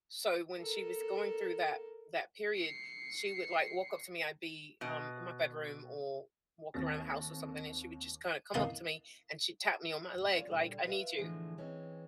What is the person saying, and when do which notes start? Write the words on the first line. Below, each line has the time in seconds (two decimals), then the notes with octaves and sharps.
so, when she was going through that that period, she would, like, walk up to me I'd be, um, in my bedroom or walking around the house or something, and she would just kinda come up to me, and she'd tap me on my leg like, "I need you."
0.58 A4 A#4
2.55 C7 C#7
4.81 B2 D#5
6.74 D#2 A#3 C4 A6 A#6
8.54 A#3 D#4 E4 D#5 F#5 A5
10.34 C#4 F4 C5 D5
10.48 A#2 D3 G3
10.86 E4 F4 B4 D5 E5 F5
11.18 A2 D3 E3 F3 G#3 A3
11.58 E3 G#3 C4 C#4